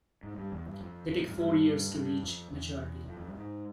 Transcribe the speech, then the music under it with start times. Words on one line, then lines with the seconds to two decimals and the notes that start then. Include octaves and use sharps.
They take four years to reach maturity.
0.23 G#2
0.38 G2
0.52 E2
0.66 G2
0.81 F2
1.08 F2
1.19 A#2
1.28 G#2
1.38 G2
1.95 G2
2.23 F2
2.52 E2
3.08 F2
3.20 F2
3.28 G2
3.37 G#2